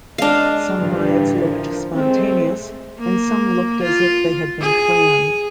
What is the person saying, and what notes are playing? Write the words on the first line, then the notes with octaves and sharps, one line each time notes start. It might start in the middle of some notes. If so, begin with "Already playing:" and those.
Some riots looked spontaneous and some looked as if they had been planned.
G#3 D4 D#5 F5
A1 G2 D3 E3
F3 A#4
G#3 A3 C4
A#3
F4
G#4